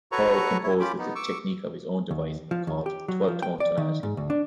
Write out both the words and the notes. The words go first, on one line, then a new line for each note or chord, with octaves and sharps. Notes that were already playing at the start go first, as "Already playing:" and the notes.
Perle composed with a technique of his own devising called "twelve-tone tonality".
F#4 A4 B4 C#5 A#5 C#6
E4 C#5
C#4 F4 G4 B5 D6
B3 D#4
C#6 D6 E6
D#2
F3
D#2
G4
F#3
F3
G5
D5
D#3
G#2
D2
D4